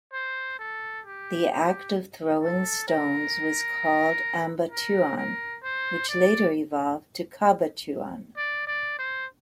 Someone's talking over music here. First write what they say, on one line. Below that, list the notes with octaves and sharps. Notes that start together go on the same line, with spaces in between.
The act of throwing stones was called "ambatuan" which later evolved to "cabatuan".
C5
A4
G4
G4
A4
A#4
A#4
A#4
C5
D5
D5
D5
C5